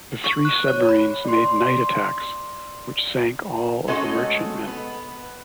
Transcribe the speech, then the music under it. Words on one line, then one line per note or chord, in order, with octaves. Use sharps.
The three submarines made night attacks which sank all of the merchantmen.
C#6
F#6
C#5
B5
D5 C6
G#3 A3 C#4 F#4 A4 D#5
B3